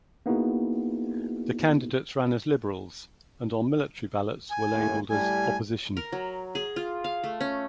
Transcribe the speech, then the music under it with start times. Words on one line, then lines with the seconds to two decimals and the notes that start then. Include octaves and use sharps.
The candidates ran as Liberals, and on military ballots, were labelled as Opposition.
0.26 A#3 B3 D#4 E4 F#4 G#4
4.50 G#5
4.70 D#2 A2
5.09 A2 G3 G#5
5.97 A#4
6.12 F#3
6.55 G#4
6.76 F4
7.04 F5
7.24 A3
7.40 C#4